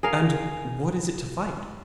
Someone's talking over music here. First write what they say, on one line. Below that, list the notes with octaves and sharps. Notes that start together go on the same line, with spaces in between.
'And what is it to fight?'
G#4 A#4 F5